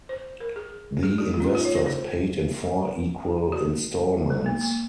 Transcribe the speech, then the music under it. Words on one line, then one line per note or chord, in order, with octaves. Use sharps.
The investors paid in four equal instalments.
C5
A#4
G#4
G#4
F#4
F4
C#4
D#4
F4
C#5
C5
C5
F#4
G#3
A#3
A#3